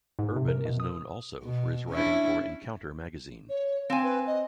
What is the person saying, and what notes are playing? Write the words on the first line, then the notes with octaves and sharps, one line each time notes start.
Urban is known also for his writing for "Encounter" magazine.
G#2
C3
A#4
B2
D#6
B2
C#4 D4 E4
C#5
C4 F5 G#5
B4
D#5